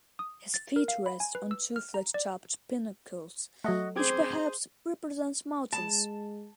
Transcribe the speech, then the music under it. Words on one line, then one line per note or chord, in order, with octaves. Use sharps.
His feet rest on two flat-topped pinnacles which perhaps represent mountains.
D#6
A6
A#4
F5
B5
G#5
B4
E6
F6
A#5
D5
F#3 A3 F#4 D#5 F#5
C4 G#4 C5 D6 G#6
G#3 A5